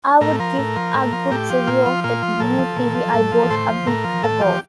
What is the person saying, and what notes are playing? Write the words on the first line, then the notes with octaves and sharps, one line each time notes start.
I would give a good review of the new TV I bought a week ago.
A2 A#4
F3 A#4
A2
F3
A2
F3
A2 G4
F3
A#2 F4
F3
A#2 F4
F3
A#2 A4
F3
A#2
F3
A2
F3
A2 C5
F3
A2 A#4
F3
A2 A4
F3 G4